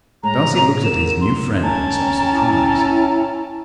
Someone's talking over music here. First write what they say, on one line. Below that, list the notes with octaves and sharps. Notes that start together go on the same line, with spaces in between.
Darcy looked at his new friend in some surprise.
A2 G#3 A#5
A2 C3 B3
D3 F3 A#4 E7
C6
C#4 G5 A5 A#5
E4